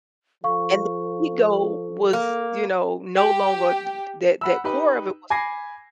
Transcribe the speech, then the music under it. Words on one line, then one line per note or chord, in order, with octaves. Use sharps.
And the ego was, you know, no longer t t that that core of it wasn't
F3 A4 F5 C#6
A#3
G4
F#5 B5 E6
D#4 G4 B4
G#5 B5 D6 G#6 A#6 C7